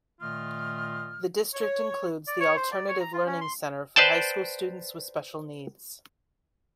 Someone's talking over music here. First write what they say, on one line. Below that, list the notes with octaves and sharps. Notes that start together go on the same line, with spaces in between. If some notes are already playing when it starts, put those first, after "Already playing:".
The district includes the Alternative Learning Center for high school students with special needs.
A#2 D#3 A3 F4 D#5 F6
C#5
D5
C#5
C5
D5
C#5
A#5
F4
C#4
C6
B4 C5 D5 G5 A5